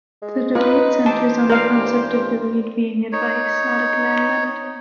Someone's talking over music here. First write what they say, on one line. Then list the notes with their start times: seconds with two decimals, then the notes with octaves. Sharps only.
The debate centres on the concept of the Rede being advice, not a commandment.
0.22 G#3
0.55 D#4 F4 B4
1.06 E3 G4 C5 A5
1.50 G2 A#4 F5
3.12 D#4 C#5